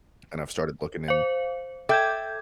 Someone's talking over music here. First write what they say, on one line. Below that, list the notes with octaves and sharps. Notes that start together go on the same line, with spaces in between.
and I've started looking in
C5 F5
A4 E5 G5 D6 G6 G#6